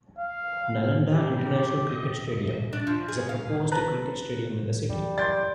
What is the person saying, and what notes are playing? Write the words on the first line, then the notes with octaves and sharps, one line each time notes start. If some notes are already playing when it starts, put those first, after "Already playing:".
Nalanda International Cricket Stadium is a proposed cricket stadium in the city.
F5
G4
D4
F3
G#4
F5
B4 A5 A#5 F#6
F#2 E3 G3
D5 C6 G6 A6